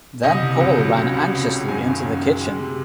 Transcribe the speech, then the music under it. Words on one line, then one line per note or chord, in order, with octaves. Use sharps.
Then Paul ran anxiously into the kitchen.
C2 D#5
C3
C2
F#3
C#2
C3
C#2
F#3
F#2 G#5
D#3
F#2
G#3
G#3
C3